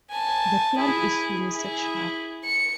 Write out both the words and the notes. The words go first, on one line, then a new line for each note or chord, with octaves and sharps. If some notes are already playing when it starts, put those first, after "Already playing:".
The plant is unisexual.
G#5 A5
E4 G#4
E4 G#4
C#7